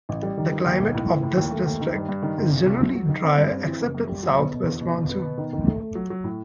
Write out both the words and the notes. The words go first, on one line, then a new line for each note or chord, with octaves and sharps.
The climate of this district is generally dry except in south-west monsoon.
A1
G3
D#3
G3
D#2
B1
A2
E3
A2
D#2
A3
D#2
D#3
G2
G2
D#3
G1
C2
C2
F#3
F#3
D#3
C4
G2
C4
E3
F#1
F#2
G3
F#3
B2
B2
E2
B2
B2
B3
B2
D#3
D#3
A3
A3
F#3
F#3
A2